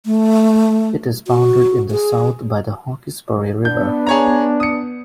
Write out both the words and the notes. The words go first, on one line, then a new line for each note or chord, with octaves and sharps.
It is bounded in the south by the Hawkesbury River.
A3
F#4
G#4
B3 D4 G6
G#4 C#5 A#5
D#6 C#7